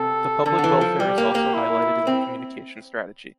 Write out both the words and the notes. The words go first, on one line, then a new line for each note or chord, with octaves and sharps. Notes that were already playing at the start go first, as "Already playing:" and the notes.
The public welfare is also highlighted in the communication strategy.
Already playing: C3 A4
D3 A4
D3
E3
F3
G3 G4
A#3
A#3
E4
C4